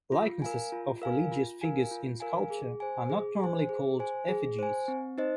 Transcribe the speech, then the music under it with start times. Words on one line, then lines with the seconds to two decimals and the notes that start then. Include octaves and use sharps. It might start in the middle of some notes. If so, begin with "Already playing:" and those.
Likenesses of religious figures in sculpture are not normally called effigies.
0.12 F4
0.42 A#4 F5 G#5
0.72 F4
1.02 A#4 F5 G#5
1.32 F4
1.61 A#4 F5 G#5
1.91 F4
2.20 A#4 F5 G#5
2.50 G#4
2.80 C5 G#5
3.10 G#4
3.40 C5 G#5
3.69 G#4
3.99 C5 G#5
4.29 G#4
4.59 C5 G#5
4.88 C4
5.18 D#4 C5 D#5